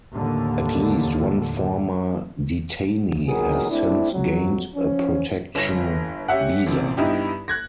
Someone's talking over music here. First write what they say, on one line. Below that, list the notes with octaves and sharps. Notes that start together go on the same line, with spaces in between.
At least one former detainee has since gained a protection visa.
D#2 A2 D3
A#2 D#3 F#3 B3 G#4 A#4
A3 C4 D4 E4
F2 F#3
F3 C#4
G1 C#5 A#6
C#4 G4 E5 F#5
A1 C3
G2 B3 D#4 E4 G4
F#6 G#6 A#6